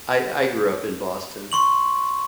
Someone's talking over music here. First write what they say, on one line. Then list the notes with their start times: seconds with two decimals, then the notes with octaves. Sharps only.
I I grew up in Boston.
1.52 C6 C#6 F#7